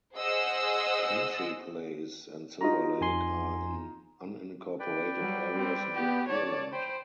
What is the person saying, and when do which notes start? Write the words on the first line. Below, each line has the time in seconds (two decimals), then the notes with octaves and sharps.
Country Place and Silverlake are in unincorporated areas near Pearland.
0.16 G#4 C5 D#5 F#5 E6
2.61 D#4 F4 F#4 D#5 A#5
3.01 F2 G#5 C6
4.80 B4 D5 G5
5.19 F#3 G3
5.53 G3 C4
5.94 B3 G4
6.28 C#5 D5 A5
6.72 C5 G5 B5